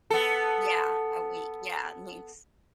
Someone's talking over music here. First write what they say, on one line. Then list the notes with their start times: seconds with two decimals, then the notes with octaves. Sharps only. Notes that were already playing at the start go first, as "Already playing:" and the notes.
Yeah, a week, yeah. It means
0.10 B3 A4